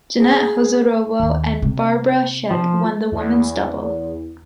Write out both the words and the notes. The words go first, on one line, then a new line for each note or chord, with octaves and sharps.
Janette Husárová and Barbara Schett won the women’s double.
G#4
D#2
C3
F3
E2